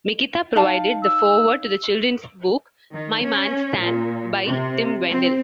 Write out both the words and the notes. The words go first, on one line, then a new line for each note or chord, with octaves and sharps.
Mikita provided the foreword to the children's book "My Man Stan" by Tim Wendel.
D#4 F5 A5
E6
D#3
C#4
A#2
C3
C4